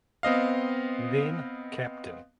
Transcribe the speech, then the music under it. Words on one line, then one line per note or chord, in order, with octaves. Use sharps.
Then Capt.
B3 C4 D#5 F5